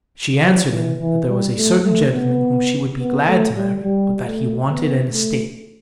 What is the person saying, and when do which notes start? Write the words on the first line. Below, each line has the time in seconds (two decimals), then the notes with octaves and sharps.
She answered him, that there was a certain gentleman whom she would be glad to marry, but that he wanted an estate.
0.42 F3
0.70 E3
0.99 E3
1.28 G3
1.56 A3
1.84 A3
2.13 B3
2.98 B3
3.27 A3
3.55 G3
3.83 G3
4.26 A3
4.69 B3
5.11 A3